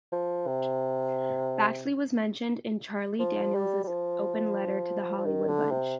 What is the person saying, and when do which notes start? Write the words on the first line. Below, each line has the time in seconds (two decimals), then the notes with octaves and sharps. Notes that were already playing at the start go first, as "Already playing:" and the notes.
Baxley was mentioned in Charlie Daniels' "Open Letter to the Hollywood Bunch".
0.12 F3
0.47 C3
3.19 F3
3.55 G3
3.84 G3
3.88 F3
5.18 F3
5.25 D#3
5.48 D3
5.71 C3